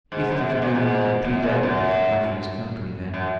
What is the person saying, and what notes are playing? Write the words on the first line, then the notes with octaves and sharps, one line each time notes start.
Heathcliff knew he could plead eloquently for Catherine's company, then.
G#2
F#2
G#2
A#2
G#2
F#2
G#2
F#2
F#2